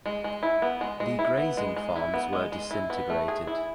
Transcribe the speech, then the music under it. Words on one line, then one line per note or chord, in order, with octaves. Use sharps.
The grazing farms were disintegrated.
G#3
G#3
E4
B3
G#3
G#3
E4
B3
G#3
G#3
E4
B3
G#3
G#3
E4
B3
A3
G#4
E4